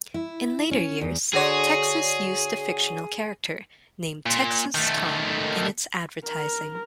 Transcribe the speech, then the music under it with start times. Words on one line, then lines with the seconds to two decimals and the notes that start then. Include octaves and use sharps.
In later years, Texas used a fictional character, named "Texas Tom" in its advertising.
0.14 E4
0.71 C#4
1.01 E2
1.34 D3 F#4 G#4 C#5
4.26 A#2
4.75 D#3 A3
6.26 A#4